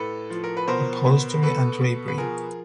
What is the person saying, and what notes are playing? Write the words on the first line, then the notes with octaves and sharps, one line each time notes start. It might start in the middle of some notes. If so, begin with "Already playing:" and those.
Upholstery and drapery.
Already playing: A2 A4 B4
F3
A#4
B4
B2 A#4 C5
B2
B2 A4 B4
B2
B4
F3 G#4 A#4